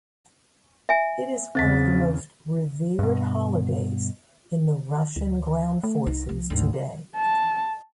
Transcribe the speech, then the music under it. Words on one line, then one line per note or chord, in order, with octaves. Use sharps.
It is one of the most revered holidays in the Russian Ground Forces today.
E5 G#5
E2 C#3 C4 A6 B6
G2 B2
D2
A3
C2 D#4
F3
G#1 D2
A5